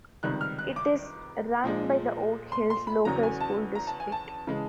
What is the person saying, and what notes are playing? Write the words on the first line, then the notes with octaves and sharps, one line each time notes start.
It is run by the Oak Hills Local School District.
C#2 C3 D#3 G3 F#6
F6
F#6
D6
A#2 F3 G#3
C6
C6
B5
E2 C#3 F#3 A#5
G#5
A5
A#5
A5
G#5
A5
C#3 E3 G#3